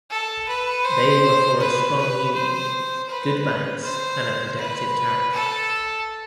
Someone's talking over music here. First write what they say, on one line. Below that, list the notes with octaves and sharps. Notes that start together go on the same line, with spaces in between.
They were for a strong Union, good banks and a protective tariff.
A4
B4
C5
B4
B4
C5
B4
C5
B4
A4